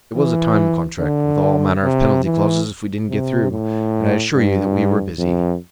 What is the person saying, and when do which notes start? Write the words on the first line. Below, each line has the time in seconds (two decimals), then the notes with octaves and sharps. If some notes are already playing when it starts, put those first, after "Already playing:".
It was a time-contract, with all manner of penalty clauses if we didn't get through; and I assure you that we were busy.
0.15 E3
0.99 D3
1.83 C3
2.24 E3
3.09 C3
3.51 A2
4.35 G2
5.18 F2